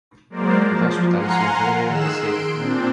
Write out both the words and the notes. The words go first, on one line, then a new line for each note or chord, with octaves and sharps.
A hospital is located in the city.
F#3 G#3 A#3 A#4 C5 D5
F3
F5 F#5 G#5 A#5 C6
D#3 G#4 E6 F#6 E7
C6 D7
A#2 C4 D4